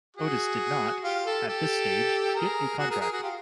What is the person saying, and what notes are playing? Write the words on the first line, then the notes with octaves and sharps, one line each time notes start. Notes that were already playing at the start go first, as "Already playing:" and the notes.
Otis did not, at this stage, get a contract.
F#4 G#4
F4 G4
G4 A4
G4 A4
G#4 A#4
F#4 G#4
G#4 A#4
G#4 A#4
F#4 G#4
F4 G4